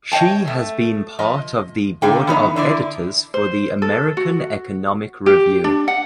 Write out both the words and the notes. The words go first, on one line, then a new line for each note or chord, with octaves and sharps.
She has been part of the board of editors for the American Economic Review.
C#5 D#5 F#5 G5 A5
A3
F3 D#5
D3 A#3 G5
E3 B3 D#4
D3 E4 D5
C5
A4
F#4
G4
D4
F#5